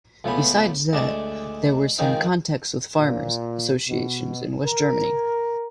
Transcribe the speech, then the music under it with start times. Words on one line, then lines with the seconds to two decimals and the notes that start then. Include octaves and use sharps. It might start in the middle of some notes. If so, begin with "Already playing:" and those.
Besides that, there were some contacts with farmers' associations in West Germany.
0.24 C#2 F3 A3 B3 G#5 B5
0.93 D2 G#3 A3 D4 A5
1.99 D#3 F3 G#3 C4 D#4
2.98 A#2
3.87 B2
4.64 A#4